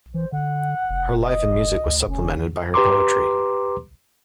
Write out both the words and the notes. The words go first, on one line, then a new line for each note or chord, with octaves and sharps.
Her life in music was supplemented by her poetry.
E3 C5
D3 F#5
F1
D#5
D2
F1 C#4
G4 B4 A#5 C6 D6